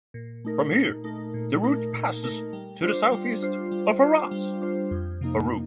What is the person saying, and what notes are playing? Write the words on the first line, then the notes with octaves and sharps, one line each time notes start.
From here, the route passes to the southeast of Harrah's.
A#2
A3 D#4 A#4
A#2
A3 D#4 A#4
A#2
A3 D#4 A#4
A#2
A3 D#4 A#4
G3
D4 F4 C5
G3
D4 F4 C5
G3
D4 F4 C5
G3
D4 F4 C5
F2
C3 F3 A#3 D#4